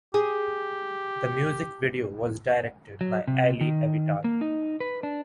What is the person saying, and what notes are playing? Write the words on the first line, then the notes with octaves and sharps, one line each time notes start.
The music video was directed by Allie Avital.
G4 G#4
F#3
C3
D#3
A#3
D#4
B4
D4